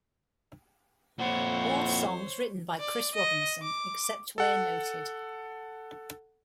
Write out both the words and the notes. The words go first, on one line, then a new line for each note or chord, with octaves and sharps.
All songs written by Chris Robinson, except where noted.
F2 A#2 E4 C5 C#5 F#5
D5
D#5
D6
A4 F#5